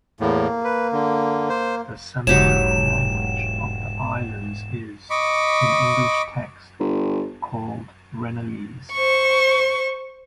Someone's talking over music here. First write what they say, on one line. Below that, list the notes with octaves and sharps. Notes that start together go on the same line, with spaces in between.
The Samoic language of the islands is, in English texts, called Rennellese.
E2 A2 A#3
B4
D3
C5
E1 G#2 F#3 G4 C#5 E7
D#5 B5 C#6 D6
G1
C5 C#6